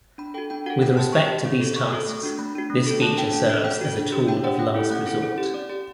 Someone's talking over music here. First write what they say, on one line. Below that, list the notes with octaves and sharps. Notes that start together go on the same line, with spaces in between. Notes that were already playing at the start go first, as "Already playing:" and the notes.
With respect to these tasks, this feature serves as a tool of last resort.
D4 B5
F#4 A4 G5
D4 G5
F#4 A4 F#5
C#4 G5
G4 A5
C#4 C#6
G4
C#4
F#4 A4
C#4 C#6
F#4 A4
A3
D4 F#4
A3 B5
D4 F#4
A3
D4 A4
A3 A5
D4 A4 G5
C#4
F#4 A4
C#4 G5
F#4 A4
D4
G4
D4 G5
G4 F#5
A3 G5
C#4 E4 A4
A3 F#5
C#4 E4 A4
C#4
G4
C#4 D5
G4 D5